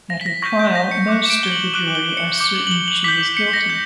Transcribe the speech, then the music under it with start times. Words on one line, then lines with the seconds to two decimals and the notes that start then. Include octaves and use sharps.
At her trial most of the jury are certain she is guilty.
0.10 A#6
0.21 B6
0.26 A#6
0.42 C#6 G6 A#6
0.59 G6
0.75 A#6
0.91 C#7
1.08 D6 F#6
1.26 E7
1.30 D7
1.43 G7
1.52 F#7
1.74 D6 F#6 G7
1.95 G7
2.17 C#7
2.39 D6 G6
2.46 G7
2.56 F#7
2.67 F#7
2.71 G7
2.88 F#7
3.04 D6 G6 B6
3.21 B6
3.37 C#7
3.54 A#6
3.70 G6